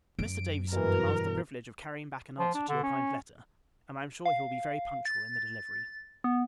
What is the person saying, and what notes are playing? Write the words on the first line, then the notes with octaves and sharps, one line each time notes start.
Mr. Davison demands the privilege of carrying back an answer to your kind letter; and, I am sure, he will be very punctual in the delivery.
F#2 D7
G2 B2 E3 A#4
F3
D4
D3
C#4
F5
A6
B3